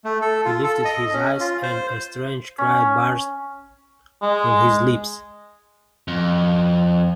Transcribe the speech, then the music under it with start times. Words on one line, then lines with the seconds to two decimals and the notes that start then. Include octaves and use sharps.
He lifted his eyes, and a strange cry burst from his lips.
0.05 A3
0.21 A4
0.45 F4
0.64 A4
0.85 D#5
1.13 C#4
1.40 F4
1.63 C5
2.58 C#4
4.22 G#3
6.08 F2